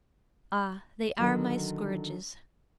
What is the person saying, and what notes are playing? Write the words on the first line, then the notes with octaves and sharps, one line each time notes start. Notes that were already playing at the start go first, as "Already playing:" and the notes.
"Ah, they are my scourges."
D3 D#3 F#3